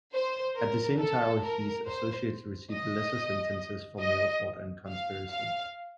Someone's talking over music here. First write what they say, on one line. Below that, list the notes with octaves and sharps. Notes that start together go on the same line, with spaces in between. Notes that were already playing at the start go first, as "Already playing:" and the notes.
At the same trial, his associates received lesser sentences for mail fraud and conspiracy.
C5
A#4
A4
A#4
C5
D#5
D#5
F5
F5